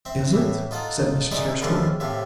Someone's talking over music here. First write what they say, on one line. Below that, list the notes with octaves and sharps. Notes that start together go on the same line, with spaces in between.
"Is it?" said Mrs. Hurstwood.
C4 E5
A2 E3
D#4 F4 A4 F#5
D#4 E4 G#4 C5 D5 D#5
D#2 C#3 E3 F3 A5 C6
A2 C3 A3 F5